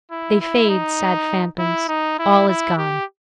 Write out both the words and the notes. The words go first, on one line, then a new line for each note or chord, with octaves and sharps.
They fade, sad phantoms: all is gone.
E4
E4
D#4
E4
D#4
E4
E4
G4